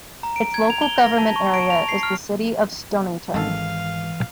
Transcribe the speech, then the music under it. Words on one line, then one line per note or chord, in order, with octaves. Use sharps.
Its local government area is the City of Stonnington.
A#5
D7
G#6
F7
G7
A#6
A5
C#6
D7
F7
C7
F6
G#1 G#2 D#3 E3 A4 F5